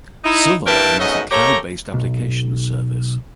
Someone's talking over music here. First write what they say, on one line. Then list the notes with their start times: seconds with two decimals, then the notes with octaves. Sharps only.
Silverline is a cloud-based application service.
0.25 D#4 E4
0.67 G2 E4 A#4 B4 G5 A5
0.99 G#2 B2 A3 C#4 D#5
1.31 A3 A#3 G4 C#5 A#5
1.94 B1